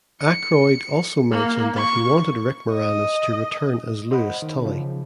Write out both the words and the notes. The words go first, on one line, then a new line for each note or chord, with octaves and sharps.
Aykroyd also mentioned that he wanted Rick Moranis to return as Louis Tully.
C#7
A#3
C#6
D#5
C5 D#5 F#5 B5
D#3
C#3 F3